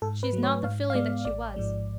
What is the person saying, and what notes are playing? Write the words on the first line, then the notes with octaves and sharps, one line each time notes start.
She is not the filly that she was.
G#2 A4
B4
F#3 A3
C#5
G#2 F5
F5
G#3 B3 D5
A1 D5
G#2 F3 G#3